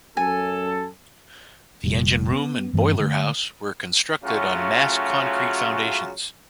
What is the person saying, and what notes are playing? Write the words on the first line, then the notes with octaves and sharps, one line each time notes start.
The engine room and boiler house were constructed on mass concrete foundations.
F#2 A4 G#5
F1 A#2 G3
B3
G2 E3 A3 C#4
D3 A3
C#3 F#3 A3 C#4 F4 F#4